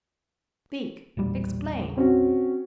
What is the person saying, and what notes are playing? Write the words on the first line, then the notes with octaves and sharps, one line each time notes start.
Speak, explain!
E1 A#1 G3
C4 C#4 F#4